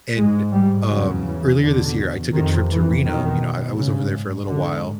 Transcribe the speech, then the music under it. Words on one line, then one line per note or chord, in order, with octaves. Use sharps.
And, um, earlier this year, I took a trip to Reno. You know, I I was over there for a little while,
G#2 G#3
G3
E2 C#3 F#3
E3
E2 B2 D3
F2 C3 D#3
E3
E2 B2 D#3
G#2 C#3
G#2 D3